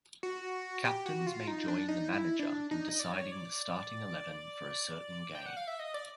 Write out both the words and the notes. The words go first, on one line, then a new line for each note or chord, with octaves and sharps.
Captains may join the manager in deciding the starting eleven for a certain game.
F#4
G4
F#4
F4
D#4
D4
D#4
E4
D4
D#4
D#5
D5
C#5
D5
G5
F#5
F5
E5
D#5
D5